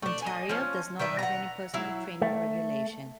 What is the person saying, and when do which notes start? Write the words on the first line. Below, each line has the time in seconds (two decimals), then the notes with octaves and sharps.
Ontario does not have any personal training regulation.
0.02 A3 D4
0.22 D#5 G#5
0.49 F3 C#4
0.99 D#3 D4 B4 E5
1.19 F#5 A#5
1.74 F#3 E4
2.22 A3